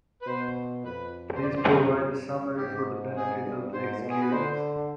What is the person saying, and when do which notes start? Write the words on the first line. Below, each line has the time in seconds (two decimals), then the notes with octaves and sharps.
Please provide a summary for the benefit of the executives.
0.22 B4
0.26 B2 C5
0.85 F2 B4
1.35 C5
1.42 D5
1.56 C5
2.00 G2
2.58 G#2 G4
3.16 G#4
3.44 G2
3.74 G#2 C5
4.03 B2
4.10 G#4
4.21 B4
4.31 D3 C5